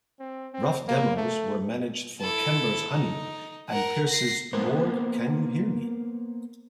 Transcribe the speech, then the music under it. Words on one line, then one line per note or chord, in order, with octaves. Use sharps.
Rough demos were managed for Kember's "Honey" and Pierce's "Lord Can You Hear Me?".
C4
C4
A#3
A3
E4 A4
D#4
A#4 F#5
A#6 C7
A#3 B3 A#4 C5